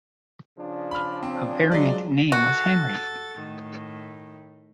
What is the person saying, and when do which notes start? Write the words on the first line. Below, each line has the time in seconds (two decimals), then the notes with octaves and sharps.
A variant name was "Henry".
0.58 C#3 F3 D4
0.91 B5 F6
1.23 C4
1.72 F#3 G#3 D5
2.32 F#4 A4 A6
3.37 A2 D#3